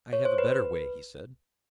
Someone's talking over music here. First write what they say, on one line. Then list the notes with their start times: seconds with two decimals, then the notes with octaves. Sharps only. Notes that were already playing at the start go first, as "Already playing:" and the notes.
"I have a better way," he said.
0.13 C#5
0.25 C5
0.38 B4